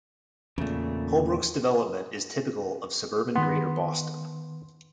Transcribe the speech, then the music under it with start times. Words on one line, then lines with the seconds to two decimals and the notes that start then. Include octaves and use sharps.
Holbrook's development is typical of suburban Greater Boston.
0.58 E2 A#2 C#3 A3
3.35 D#3 B3 C6